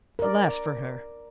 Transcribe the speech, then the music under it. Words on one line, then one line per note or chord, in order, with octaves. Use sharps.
Alas for her!
A#4 D5